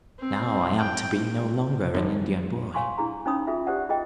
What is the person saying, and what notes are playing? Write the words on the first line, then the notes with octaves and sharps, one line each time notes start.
Now I am to be no longer an Indian boy.
C4
G5
G#1
C#5 F5 G#5 C6 C#6
D4 E4 G#4 A#5
C#4 D#4 C#5 B5 D#6
F4 G#4 E5
G4 C5 D5 F#5
F4 G#4 D#5 G5